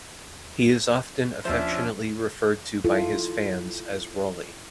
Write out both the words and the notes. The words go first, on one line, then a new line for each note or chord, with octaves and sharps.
He is often affectionately referred to by his fans as Roli.
D#2 F3 C#4 D4 C5 E5
E4 F4 A4